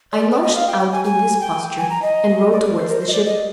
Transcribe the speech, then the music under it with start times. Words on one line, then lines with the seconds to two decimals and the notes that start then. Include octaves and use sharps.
I launched out in this posture, and rowed towards the ship.
0.12 D5
0.31 D5
0.42 D#5
0.55 F5
0.68 G5
0.79 G5
0.92 G#5
1.04 G#5
1.41 G5
1.78 G#5
1.90 A#5
2.02 D#5
2.52 D5
2.63 D5
2.76 C5
2.88 A#4
3.01 C5
3.08 D#5
3.12 D5
3.26 D#5